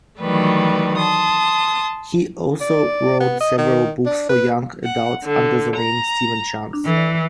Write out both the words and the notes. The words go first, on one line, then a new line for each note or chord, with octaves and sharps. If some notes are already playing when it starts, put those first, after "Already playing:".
He also wrote several books for young adults under the name Stephen Chance.
D#3 E3 F#3 G3 A3 B4
A5 C6 D#6
D5
B3
D#5
D#3
D4
B4
F#5
D3
A#5
E3